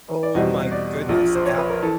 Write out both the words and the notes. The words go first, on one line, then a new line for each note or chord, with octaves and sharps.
Oh my goodness. Absolutely.
D5
E2 B2 G3 C4 D#5
D5
A#1 A#2 F3
C5
C#5
B4
A#4
E3 A4